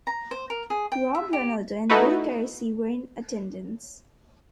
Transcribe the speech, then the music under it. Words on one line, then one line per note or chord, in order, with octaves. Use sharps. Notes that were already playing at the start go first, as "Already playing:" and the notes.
Rob Ronaldo and Bill Carinci were in attendance.
A#5
C5
A#4
G#4
G5
E5
G4
A3 D#4 E4 F#4 B4